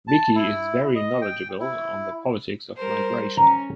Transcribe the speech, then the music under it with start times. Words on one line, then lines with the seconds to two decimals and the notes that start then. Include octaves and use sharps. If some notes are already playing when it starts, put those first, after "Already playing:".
Vicky is very knowledgeable on the politics of migration.
0.08 A5
0.35 E4
0.96 D#5
1.22 G5
1.60 E4
2.76 G3 A#4 C5
3.37 C#4 A#5